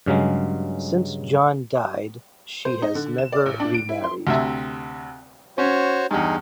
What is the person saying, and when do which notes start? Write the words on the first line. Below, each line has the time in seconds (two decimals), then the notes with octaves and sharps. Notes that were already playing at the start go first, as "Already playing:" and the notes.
Since John died, she has never remarried.
0.06 G2 C#3 F#3 G#3
2.65 C5
2.82 D#4
2.95 D3
3.18 E7
3.32 D5
3.46 A1
3.60 D4
3.74 D7
3.89 E4
4.04 C6
4.27 D2 C3 E5
5.58 C#4 F#4 C5 C#5
6.11 E2 G2 D#4 G#4